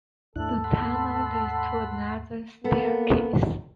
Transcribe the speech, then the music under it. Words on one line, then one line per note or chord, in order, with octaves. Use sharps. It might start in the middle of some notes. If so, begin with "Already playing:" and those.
The tunnel leads to another staircase.
D#2 G#2 A3 D4 E4 A4 F#6
F#5 B5 C6
A#3 B3 A4